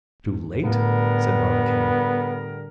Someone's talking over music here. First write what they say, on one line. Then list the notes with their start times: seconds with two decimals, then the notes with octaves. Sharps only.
"Too late?" said Barbicane.
0.64 A2 D3 G3 B3 A#4